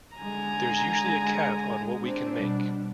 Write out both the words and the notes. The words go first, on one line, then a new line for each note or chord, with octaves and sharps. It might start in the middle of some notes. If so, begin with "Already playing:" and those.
There's usually a cap on what we can make.
D3 G#3 G#5 A#5
C4 D4
B2 G3